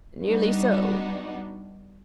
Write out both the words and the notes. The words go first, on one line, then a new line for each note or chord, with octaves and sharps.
"Nearly so."
G3 B3 D4 D#4 F#4